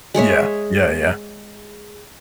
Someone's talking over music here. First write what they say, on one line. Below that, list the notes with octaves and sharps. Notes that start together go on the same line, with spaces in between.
Yeah. Yeah, yeah.
G#3 G#4 C#5 E5